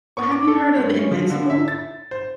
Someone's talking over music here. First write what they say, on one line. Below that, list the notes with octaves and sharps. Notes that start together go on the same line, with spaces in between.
Well, have you heard of Invincible?
C#6
D6
A4
G2
C#4
F3
D3
E5
A6
C5